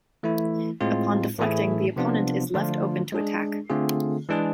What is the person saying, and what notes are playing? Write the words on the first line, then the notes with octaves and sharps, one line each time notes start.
Upon deflecting, the opponent is left open to attack.
E3 A3 E4
A2 G#3 C4 F4
A2 E3 A3 E4 G#4
C3 F3 B3 D4 F4
D3 F3 A3 D4 F4
G#3 D4 G#4
D3 A3 C4 F4 G#4
E3 G#3 D4 G#4